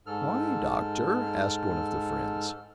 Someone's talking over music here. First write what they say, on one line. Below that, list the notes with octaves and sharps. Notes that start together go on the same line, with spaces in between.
"Why, doctor?" asked one of the friends.
G#2 A4 F6